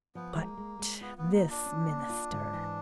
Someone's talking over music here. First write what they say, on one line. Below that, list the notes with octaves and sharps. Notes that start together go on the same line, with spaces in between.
But this minister.
F3 B3
G#3 A#3
G#3
G#3
B3 F4
B3
A#3
D#4
F4
D4
C#4
A#3
F4
G#2
E3